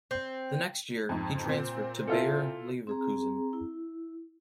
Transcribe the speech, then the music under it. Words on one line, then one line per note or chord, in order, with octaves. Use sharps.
The next year, he transferred to Bayer Leverkusen.
C4
F2 G#2
A#2 C4
E4 F4 A4
C4 G#4 A#5
E4